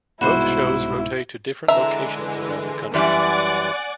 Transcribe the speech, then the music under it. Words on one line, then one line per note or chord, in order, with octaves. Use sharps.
Both shows rotate to different locations around the country.
C2 G#2 B2 E4 F#4 C5 B5 F#6
D3 E3 G#3 E5 A#5
F#2 E3 G3 D5 F#5 G#5